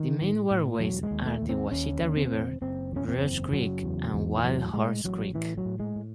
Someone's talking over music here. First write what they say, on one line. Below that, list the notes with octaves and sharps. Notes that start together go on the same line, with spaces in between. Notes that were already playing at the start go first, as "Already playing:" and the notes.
The main waterways are the Washita River, Rush Creek and Wildhorse Creek.
Already playing: D#3
A2
A2
E1 F#3
G#3
D#2
A3
D#2
C4
D#2 C#4
D#2
C4
E1
F#1 C4
E2 C#4
C4
F#1
C#3 F#3
E2
E2
E3
A2 F#3
A2 G#3
A1 F#3
A2 E3
F#3
A2
G#3
A2